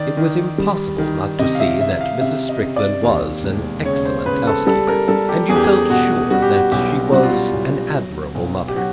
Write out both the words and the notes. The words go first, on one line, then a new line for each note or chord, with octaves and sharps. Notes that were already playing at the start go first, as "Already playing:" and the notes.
It was impossible not to see that Mrs. Strickland was an excellent housekeeper. And you felt sure that she was an admirable mother.
Already playing: D#3 D5
D#3
G3
D#3
C3 D#5
F5
E5
C3 E5
F5
C3 E5
D#5
C3
D5
D#2
E1
C#3 C#5
C5
C#3 B4
A4
G3 A4
A#4
G3 A4
G4
E2 G#4
G4
G#4
B2 F#4
G3 F#4
G4
F#4
B1 G4
G3 F#4
F4
F#4
B1
F#3
B1
G4
F#3 F#4